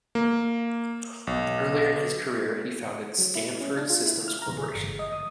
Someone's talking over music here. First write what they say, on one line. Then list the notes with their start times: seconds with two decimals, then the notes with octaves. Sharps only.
Earlier in his career, he founded Stanford Systems Corporation.
0.15 A#3
1.27 B1
3.18 F#3
3.35 E4
3.61 C#4
3.77 D4
3.90 F4
4.06 E4
4.28 F6
4.42 A#5
4.58 G#4
4.75 G1
4.99 D#5
5.13 D#6